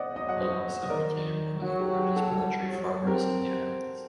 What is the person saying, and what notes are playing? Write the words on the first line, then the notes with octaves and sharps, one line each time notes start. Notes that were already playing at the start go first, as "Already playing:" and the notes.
He also became one of the largest poultry farmers in the islands.
Already playing: C5 D5 D#5 F#5
F#3 D#5
F#5
C5 D#5
D#5
D#3 A#4 D5
F#3 F#4
G4
G4
F#4 A4
G3
F#3
C4 G4 A#4